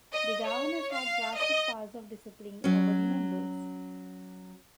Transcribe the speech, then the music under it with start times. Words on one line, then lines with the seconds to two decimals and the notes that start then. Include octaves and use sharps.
The governors had drastic powers of discipline over the members.
0.12 D#5
0.44 C#5
0.92 F5
1.35 D#5
2.64 F#3 C#4